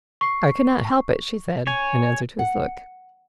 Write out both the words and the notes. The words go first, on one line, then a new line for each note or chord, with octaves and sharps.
"I could not help it," she said, in answer to his look.
C#6 C7
C#5 G#5
F#5